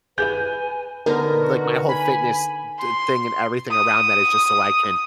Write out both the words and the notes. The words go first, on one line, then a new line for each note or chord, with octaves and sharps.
like, my whole fitness d thing and everything around that is just so I can
E4 G4 G#4 B4 G#5 G6
D3 B3 D#4 A#4
F#4
G#5 B5
C6
D#6